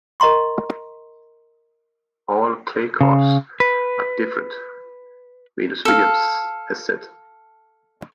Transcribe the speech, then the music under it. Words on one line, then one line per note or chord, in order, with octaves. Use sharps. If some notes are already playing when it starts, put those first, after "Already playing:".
"All clay courts are different," Venus Williams has said.
A#4 D#5 A#5 C6 C#6
C#3
B4
A4 F5